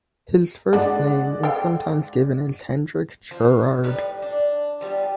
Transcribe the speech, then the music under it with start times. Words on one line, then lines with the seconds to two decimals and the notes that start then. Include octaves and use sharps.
His first name is sometimes given as Hendrik Gerard.
0.73 D3 G#3 D5 F#5
1.43 A4 F5 G5
3.31 F3
3.84 A2 G3 D#4 B4
4.22 D4
4.81 F3 G3 A#3 B3